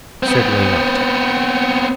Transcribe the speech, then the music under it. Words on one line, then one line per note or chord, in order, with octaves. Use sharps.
Certainly not.
B3 C4